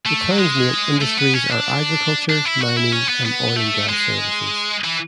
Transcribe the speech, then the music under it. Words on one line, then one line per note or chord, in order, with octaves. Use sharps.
The town's main industries are agriculture, mining and oil and gas services.
A3
F#3
G#3
A3
B3
C#4
D4
D4
E4
F#4
E4
C#4
B3
B3
A3
G#3
E3